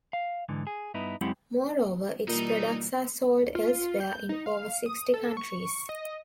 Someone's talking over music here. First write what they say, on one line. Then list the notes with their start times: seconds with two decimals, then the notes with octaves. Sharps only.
Moreover its products are sold elsewhere in over sixty countries.
0.13 F5
0.49 G#2 D3 E3
0.67 G#4
0.94 G2 B3 D#4 E4
1.21 F#2 G#3 C4 E4 G4 F#5
2.28 B2 E3 G3 A#3 D#4 F4 A#4 D5
3.55 F4
4.00 G6
4.29 D#4
4.46 F5
4.86 D#6
5.14 A4
5.37 C#6
5.89 D#5